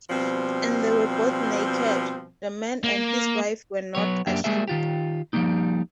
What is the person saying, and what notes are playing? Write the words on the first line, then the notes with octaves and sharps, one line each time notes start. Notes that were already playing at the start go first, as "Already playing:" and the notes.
And they were both naked, the man and his wife, and were not ashamed.
B2 F3 G3 C4
A#3
F#3 B3 C#5
F#2 A#3 D4 G4 E5
G3 G#3 A#3 G#4 E5
D#3 F4 G4
F3 G3 A3 A#3 D#4